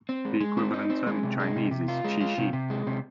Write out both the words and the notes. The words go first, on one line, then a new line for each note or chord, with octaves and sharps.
The equivalent term in Chinese is "cishi".
C4
G#3
G#3
C4
D#4
C4
G#3
C3
G#3
C3
C3
F4
G#3
F4
C3
C3
G#3
C3